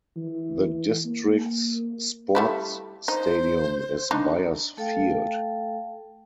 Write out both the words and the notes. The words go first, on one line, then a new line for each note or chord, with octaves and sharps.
The District's sports stadium is Byers Field.
E3
A#3
G3 A3 E4
D#4 C5
D4 D#4
A3 A4 F5 G5